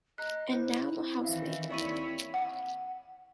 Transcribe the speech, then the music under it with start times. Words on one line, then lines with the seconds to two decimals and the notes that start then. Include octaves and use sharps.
And now I'm a housemaster.
0.18 D#5 A#5 F#6
0.51 E4 C5
0.83 C4
1.24 D#3 E3 E5 F5
1.70 D#2 C4 E4 C#5 D5 C#6 D#7
2.34 F#5